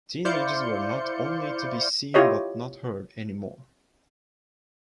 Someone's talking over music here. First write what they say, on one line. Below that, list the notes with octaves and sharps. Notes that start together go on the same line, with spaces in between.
Teenagers were not "only to be seen but not heard" anymore.
E4 C5 D5 F5 G6 C#7
E4 F4 G4 C#5 D#5